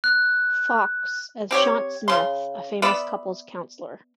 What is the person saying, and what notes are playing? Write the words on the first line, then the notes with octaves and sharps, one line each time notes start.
Fox as Shante Smith, a famous couple's counsellor.
F#6
C4 G4 C#5
C#3 C6
B3 D5 E5 B5